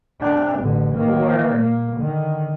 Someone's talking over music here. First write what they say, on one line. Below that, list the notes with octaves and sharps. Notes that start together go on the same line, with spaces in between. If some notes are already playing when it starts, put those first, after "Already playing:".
um, or
D4
A1 D3
D#3 A#3
A#2 A#3
D3 D#3